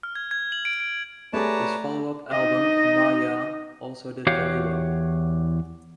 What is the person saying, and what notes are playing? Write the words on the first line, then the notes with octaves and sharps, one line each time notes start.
His follow-up album, "Ma Ya" also did very well.
F6
G#6
G#6
F#7
D7
D7
A3 G4 G#4 B4 C#5 D5 A5 A#5
D#4 D#5
E2 F#4 G4 C#5 F5